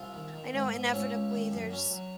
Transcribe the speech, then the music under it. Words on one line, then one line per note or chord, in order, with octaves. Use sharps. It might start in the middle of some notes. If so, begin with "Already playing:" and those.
I know inevitably there's,
Already playing: C2 F4
D#3
D#3
G#2
G#2
C#2 C#4
C#2
D#3
F#2
F#3 C#4
F#3